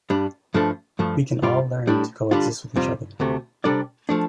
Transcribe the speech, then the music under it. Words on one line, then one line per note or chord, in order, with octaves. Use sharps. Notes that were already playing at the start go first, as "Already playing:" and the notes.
We can all learn to coexist with each other.
G2 G3 D4
G2 F3 A3 D4 A4
G2 F3 A3
G2 G3 F4 D5
A2 G3 D4
D3 G3 D4 F4
F2 C3 G3 F4
D2 C3 A3
C3 G3 D4 A4 D5
F3 A3 D4